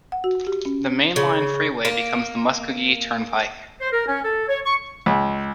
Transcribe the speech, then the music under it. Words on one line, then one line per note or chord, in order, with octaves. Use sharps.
The mainline freeway becomes the Muskogee Turnpike.
F#5
F#4
G4
C#4
C#3
A#3
C5
A#4
C#4
A4
C#5
C#6
C#2